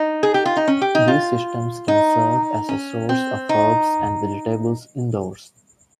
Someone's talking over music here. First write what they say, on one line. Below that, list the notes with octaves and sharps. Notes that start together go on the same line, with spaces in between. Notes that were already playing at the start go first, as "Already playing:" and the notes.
These systems can serve as a source of herbs and vegetables indoors.
Already playing: D#4
G#4
G4
F4
D#4
C#4
G4
D#4
F4
D#4
C#4
C4
D#4